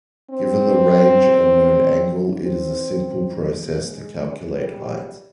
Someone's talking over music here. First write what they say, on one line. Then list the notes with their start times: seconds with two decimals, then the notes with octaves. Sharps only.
Given the range and known angle it is a simple process to calculate height.
0.30 C4
2.43 C4
3.51 G#3
4.56 G3